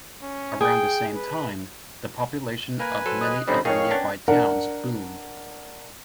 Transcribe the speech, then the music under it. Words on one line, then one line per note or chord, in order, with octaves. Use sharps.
Around the same time, the population of many other nearby towns boomed.
C#4
G#4 G5
B4
A#3 A#4 B4 G#5
F#3 A4 C5
D#5 D#6 F#6
D3 G3 C4 C#4 D#4 C5 B5
F2 D#4 G#4 A#4 C#5 F5 G5 C#6
B3 C#4 D4
D4 A#4 F#5